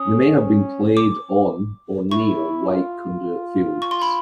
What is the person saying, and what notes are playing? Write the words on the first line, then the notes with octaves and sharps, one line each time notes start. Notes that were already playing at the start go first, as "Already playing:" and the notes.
They may have been played on or near White Conduit Fields.
Already playing: C#4 D#6
D6
E4 C#6
F4
C#6
C6
B5